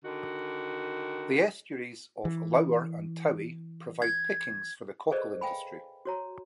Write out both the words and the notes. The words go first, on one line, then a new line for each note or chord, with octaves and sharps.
The estuaries of the Loughor and Towy provide pickings for the cockle industry.
D3 D#3 F#4
E3
G#6
G#4 A4 B4 C5 D5 D#5
F5 G5 G#5 B5
F#4 C#5 A#5